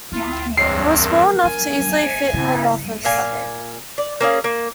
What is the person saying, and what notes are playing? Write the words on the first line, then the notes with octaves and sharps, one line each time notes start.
It was small enough to easily fit in an office.
D2 E4 F4
E2 G2 C4 C#5 C7
A#4
D4 G#5
C#3 E4
A#2 F5 G#5
D5
A#3 C#4 G#4 F5
A#3